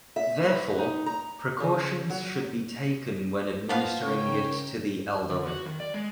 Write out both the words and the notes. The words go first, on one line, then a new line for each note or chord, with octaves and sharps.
Therefore, precautions should be taken when administering it to the elderly.
E5
B4
D#4
A#5
C#3
F#3
F3 B3 F5
C#3 A#4 C#5 G5
D3
F#4
D#3
D5
G#3